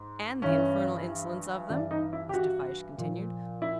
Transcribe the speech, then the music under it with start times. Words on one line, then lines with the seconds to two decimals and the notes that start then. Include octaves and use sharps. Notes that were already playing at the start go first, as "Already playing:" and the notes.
"And the infernal insolence of them," Mr. Fyshe continued.
Already playing: G#2
0.42 G2 E3 C#4
1.70 G2 E3 D4
1.91 D#4
2.13 E4
2.29 G4
2.34 F#4
2.98 A#2 F3
3.62 E4